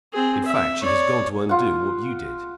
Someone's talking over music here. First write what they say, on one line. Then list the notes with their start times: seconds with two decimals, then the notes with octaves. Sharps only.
In fact she has gone to undo what you did.
0.13 C4 G#4
0.45 E5
0.81 C#5 D5
1.49 F4 F#5